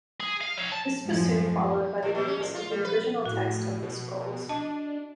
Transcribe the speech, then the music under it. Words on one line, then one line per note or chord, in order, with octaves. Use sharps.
This was soon followed by the release of the original text of the scrolls.
G#4
F5
D#4 C#5
A5
F#2 A2 F3 G#3
A2
A#2
C#4
A2
F4
G3
B4
A2 F#4
B2
D4 D#5 A5